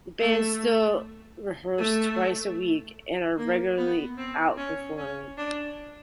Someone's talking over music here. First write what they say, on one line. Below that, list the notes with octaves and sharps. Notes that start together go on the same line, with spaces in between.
The band still rehearse twice a week and are regularly out performing.
A3
A3
A#3
B3
C4
C#4
C#4
D4